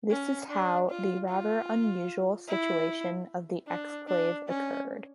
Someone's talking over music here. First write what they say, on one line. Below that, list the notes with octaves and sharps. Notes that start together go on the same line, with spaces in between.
This is how the rather unusual situation of the exclave occurred.
C#4
D4
F4
F4
E4
D4
D4
C#4